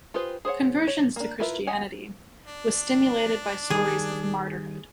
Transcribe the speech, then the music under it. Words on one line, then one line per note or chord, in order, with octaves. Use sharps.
Conversions to Christianity, was stimulated by stories of martyrhood.
F4 G4 G#4 B4 C5
G#4 C5 C#5 F#5
C#5
A#3 D4
E4 F4 A#4 B4 E5
D#5 F#5 G#5
D4
D#3 G3 G#4